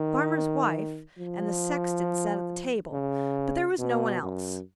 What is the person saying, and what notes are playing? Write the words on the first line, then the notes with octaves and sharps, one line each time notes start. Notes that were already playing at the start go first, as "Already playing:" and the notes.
The farmer's wife and the sexton sat at the table, but there was no one else.
Already playing: D#3
F3
C#3
B2
F#2